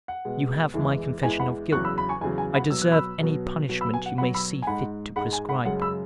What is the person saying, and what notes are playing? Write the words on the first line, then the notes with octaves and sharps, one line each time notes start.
You have my confession of guilt, I deserve any punishment you may see fit to prescribe.
F#5
B2 G#3
E2 E3 G#3
E2 E3 G#3 G#5
F#5 B5
E2 C#3 F#3 C#6 F#6
B5 E6
B5
G#5 C#6
E2 C#3 F#3 G#5
G#5
F#5 B5
B2 F#3 E6
F#6
B5 E6
B2 F#3
B2 F#3
B5 E6
G#5
F#5
B2 F#3 F#5 B5
B5 E6
G#5
G#2 G#3 F#5 B5
G#2 G#3 F#5 B5
G#5
F#5 B5
F#2 C#3 G#3 F#5
B5 E6